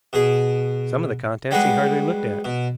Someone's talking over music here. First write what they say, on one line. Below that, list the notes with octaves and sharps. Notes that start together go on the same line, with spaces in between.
Some of the contents he hardly looked at.
B2 G#4
G3 G#3 B3 F#4 G#4
B2